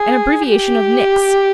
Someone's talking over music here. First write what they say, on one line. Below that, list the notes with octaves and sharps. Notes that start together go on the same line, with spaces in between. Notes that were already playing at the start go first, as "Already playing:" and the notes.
An abbreviation of Nix.
Already playing: G#4
G4